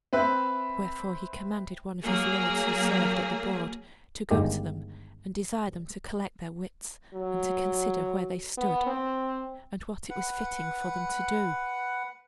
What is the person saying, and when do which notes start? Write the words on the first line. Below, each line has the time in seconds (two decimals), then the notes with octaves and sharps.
Wherefore he commanded one of his lords, who served at the board, to go to them and desire them to collect their wits, and to consider where they stood, and what it was fitting for them to do.
0.13 C4 B4 E5
2.03 F#3 A#3 G#4
4.31 G1 D#3 G#3 G4
7.14 F#3
8.57 B3
8.87 C4
10.10 B4 F#5